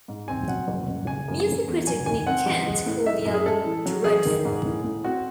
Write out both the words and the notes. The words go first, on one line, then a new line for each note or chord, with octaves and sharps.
Music critic Nick Kent called the album "dreadful".
G#2
C4 G#5
F#3 F#5
F#1
F#1
C#3 G#5
F#2
A3
E2
F#3 G#5
D#3 G#5
C4 F#5
A1
G#3
A2
D#4 E5
F#2
G#4
G#3 A4
E3
F#3
A1 G#4
D#3
G#2
A2
A2
C4 F#4